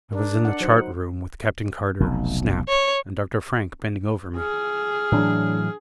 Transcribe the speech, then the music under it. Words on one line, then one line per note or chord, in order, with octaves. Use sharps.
I was in the chart room with Captain Carter, Snap and Dr. Frank bending over me.
D4 A#4
F#5
F#3 D#4 C5
F1 B1
C#5
G#4 F6
A2 E3 F#3 D4